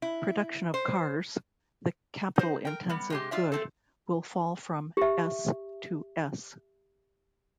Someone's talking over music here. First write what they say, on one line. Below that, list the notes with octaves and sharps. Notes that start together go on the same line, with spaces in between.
Production of cars, the capital-intensive good, will fall from "S" to "S".
E4
C5
D#4 C5
A#4 G5
G3 B3
C3 G#3 G4
F4 D5 E5
A3 C4 A4
G4 E5